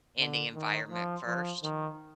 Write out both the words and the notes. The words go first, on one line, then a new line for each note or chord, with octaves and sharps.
in the environment first
D3
D#3
F3
F3
D#3